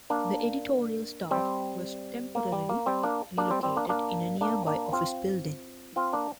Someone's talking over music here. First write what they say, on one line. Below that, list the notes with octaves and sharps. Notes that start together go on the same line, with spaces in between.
The editorial staff was temporarily relocated in a nearby office building.
A#3 D4
G3 C4
A#3
G3
A#3
G3 C4
A#3 D4
A#3 D4
G3 C4
G3 C4
A#3 D4
A#3 D4
A#3 D4
A#3 D4
C4 F4
C4 F4
A#3 D4